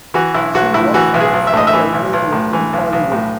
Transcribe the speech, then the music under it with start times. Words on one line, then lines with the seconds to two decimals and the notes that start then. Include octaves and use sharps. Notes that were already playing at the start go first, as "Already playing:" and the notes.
She works as a school librarian in Hollywood.
0.14 E3 F#4
0.34 B1 E4
0.54 B1 F#4
0.74 A2 E4
0.94 E3 F#4
1.14 B1
1.20 G#4
1.34 B1
1.47 E5
1.53 A2 D#5
1.67 E5
1.73 E3
1.93 B1
2.13 B1
2.33 A2
2.53 E3
2.73 B1
2.93 B1
3.12 A2